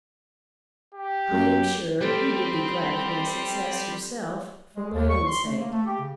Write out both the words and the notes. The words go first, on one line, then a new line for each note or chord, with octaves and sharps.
I am sure you will be glad of my success yourself, for my own sake.
G4
F#2
G3 C4 G4 A4
G#3
D#2
C#6
C6
A3
A#3
A3
G4
C#3